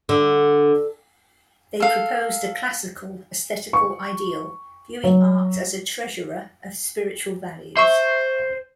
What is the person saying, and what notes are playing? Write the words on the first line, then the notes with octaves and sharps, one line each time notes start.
They proposed a classical aesthetical ideal, viewing art as a treasurer of spiritual values.
D3
A4 F5
C#6
F#3
C5 E5 C#6